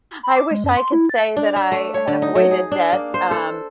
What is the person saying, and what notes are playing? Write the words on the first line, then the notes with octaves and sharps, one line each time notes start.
I wish I could say that I had avoided debt, um,
B5
D6
G#3
F#2
C6
E4
A6
D4
E5
A3
C#5
D3
D#4
F#3
G#4
D4
A#3
C5
A4